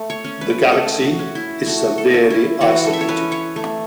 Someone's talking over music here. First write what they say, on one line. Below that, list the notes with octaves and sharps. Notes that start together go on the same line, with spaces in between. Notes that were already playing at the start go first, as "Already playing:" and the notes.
The galaxy is severely isolated.
Already playing: A3
C#5
C#4
B4
A3 A4
F#4
C#4
E4
A3 F#4
A4
C#4
E4
E3 F#4
A4
E5
C#5
C#4 B4
C#5
A3